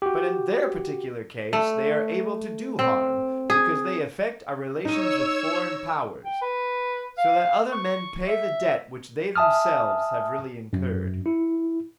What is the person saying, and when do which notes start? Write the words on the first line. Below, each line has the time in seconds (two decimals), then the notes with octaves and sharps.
But in their particular case they are able to do harm because they affect our relations with foreign powers, so that other men pay the debt which they themselves have really incurred.
0.02 F#4 G4
1.53 A3
2.79 C4
3.50 G#4
4.85 D#4 C#5 E6 D#7
6.25 G5
6.42 B4
7.18 F5
7.72 C#6
8.28 E5
9.36 E5 G#5 A5 D#6 F6
10.73 F#2
11.26 E4